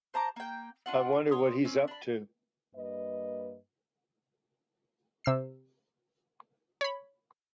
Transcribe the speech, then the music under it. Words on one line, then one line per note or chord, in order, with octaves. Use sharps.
I wonder what he is up to.
C5 A5 A#5 D6
A#3 G5
D4 F4 F#5
C#5 C6 D#6
C4 C#4
D4 B5
G2 A#3 B4 D#5
C3 E6 C7
C#5 B5